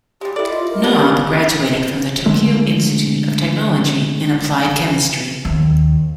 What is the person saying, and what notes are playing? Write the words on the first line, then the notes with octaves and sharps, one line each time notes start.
Nob graduated from the Tokyo Institute of Technology in applied chemistry.
G3 G#3 G4
E4 A4 D5
F4 D#5
A#4
C#3 D4 G4
D3 G#3 A3
D#2